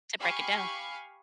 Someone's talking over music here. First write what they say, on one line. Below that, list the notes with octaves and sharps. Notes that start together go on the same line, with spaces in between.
To break it down.
G4 F5 G#5 B5 C#6